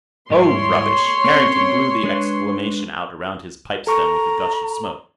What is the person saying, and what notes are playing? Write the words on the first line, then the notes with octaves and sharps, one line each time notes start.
"Oh, rubbish!" Harrington blew the exclamation out around his pipe-stem with a gush of smoke.
G#2 G3 E4 C#5 C6
A#3 C4 C#4
G#3 D4 B4
A4 A#5 C#6